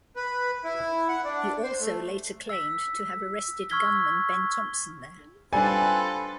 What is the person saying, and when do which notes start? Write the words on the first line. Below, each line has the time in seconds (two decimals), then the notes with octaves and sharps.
He also later claimed to have arrested gunman Ben Thompson there.
0.16 B4
0.64 E4
1.08 F#5
1.24 D4
1.63 C5
1.81 A3
2.49 E6 B6
3.70 C#6 E6 F6 G#6 B6 G7
5.53 G3 C4 D4 F4 A4 B4 G#5